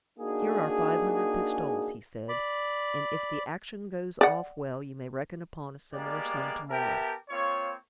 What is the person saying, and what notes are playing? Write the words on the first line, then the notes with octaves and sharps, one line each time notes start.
"Here are five hundred pistoles," he said; "and if the action goes off well you may reckon upon a similar sum to-morrow."
A#3 D4 D#4 F#4 G#4
D5 B5
D5 F#5
G#3 A#3 B3 G4 D5
B3 G4 A#4 E5 G5 A5
A#3 C4 F4 C#5